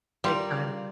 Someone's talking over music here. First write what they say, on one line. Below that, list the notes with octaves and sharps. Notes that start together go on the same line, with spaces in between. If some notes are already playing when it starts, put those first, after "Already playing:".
Big time.
G3 F4 A#4 D5